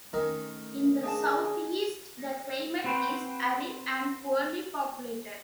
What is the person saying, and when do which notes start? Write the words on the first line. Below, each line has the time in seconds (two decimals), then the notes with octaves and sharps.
In the southeast, the climate is arid, and poorly populated.
0.13 D#3 A3 C#4 A#4
1.03 D4 G#4 D#5 F5 G#5 A5
2.84 C4 F#4 B4 C5 G5